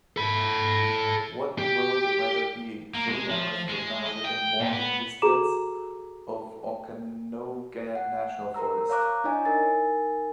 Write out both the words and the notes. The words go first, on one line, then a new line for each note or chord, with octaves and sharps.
What will the weather be three hours from now within walking distance of Okanogan National Forest?
A4 B5
G4
A#3
G#3
F3
G#3
D#5
G5
A#2
B3
F#4 G#4 A4 A#5 D6 E7
F#5
A#4 C5 A#5 E6
C#5 F5 A#5 D6 F#6
D4 E4 C#5 D#5 G#5
D#4 A#4 G#5 A6